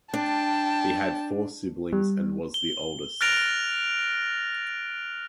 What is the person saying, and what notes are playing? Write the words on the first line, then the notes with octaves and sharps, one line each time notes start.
He had four siblings and was the oldest.
D4 G5 A5
G3
G7
F6 F#6 A6 A#6 D7 F7